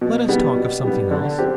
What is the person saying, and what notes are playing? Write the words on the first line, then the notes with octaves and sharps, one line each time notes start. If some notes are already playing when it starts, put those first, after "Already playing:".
Let us talk of something else.'
B2
G3 B3
B2
G3 B3
D3
F3 C4 G4